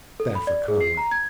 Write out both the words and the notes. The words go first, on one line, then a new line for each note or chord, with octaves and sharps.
Bad for Conway.
A4
B5
D5
G#4
C7
A#5
G#6